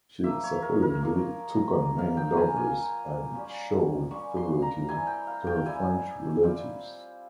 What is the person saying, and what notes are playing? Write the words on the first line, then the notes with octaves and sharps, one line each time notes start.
She supposedly took on many lovers and showed favouritism to her French relatives.
F3 A#3 F4 E5
C#5
A#4
A#4
F3 A#3 F4
A#3 F4
F5
G5
A#5
G#5
A#3 F4 G#5
G3 C#4 F4
G3 C#4 F4 C#6
C6
A#5
G3 C4 E4 G#5
G5
F5
G5
G3 C4 E4 G#5
G3 C4 F4